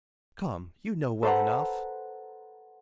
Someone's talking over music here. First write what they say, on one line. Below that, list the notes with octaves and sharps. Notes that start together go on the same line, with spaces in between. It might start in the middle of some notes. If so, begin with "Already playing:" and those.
"Come, you know well enough."
A4 B4 C5 F#5 A#5